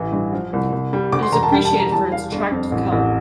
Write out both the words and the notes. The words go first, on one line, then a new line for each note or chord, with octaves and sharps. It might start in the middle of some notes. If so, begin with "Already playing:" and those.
It is appreciated for its attractive color.
Already playing: A1 E3
G2
F3
C2
C2
G3
D2 D6
C6
E1 A#5
A5
G3 G5
A5
G3
A#5
E2 A5
G3 F5
G1
F2
A1
A1